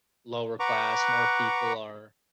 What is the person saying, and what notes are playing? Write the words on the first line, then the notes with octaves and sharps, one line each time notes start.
lower class, more people are
B4 F#5 A#5 C#6 D6